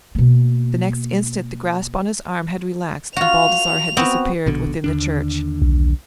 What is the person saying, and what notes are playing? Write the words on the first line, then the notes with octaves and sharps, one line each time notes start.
But the next instant the grasp on his arm had relaxed, and Baldassarre had disappeared within the church.
B2 A#3
F4 F#4 F7
B3 C4 F#4
A#1 B2 D3
D#2 D3 D4
B1